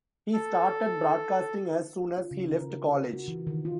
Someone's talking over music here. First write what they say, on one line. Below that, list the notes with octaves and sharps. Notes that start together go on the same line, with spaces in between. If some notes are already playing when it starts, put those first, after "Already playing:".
He started broadcasting as soon as he left college.
A4
F4
C#3
A#4
A#4
F#4
E3
D#3
F4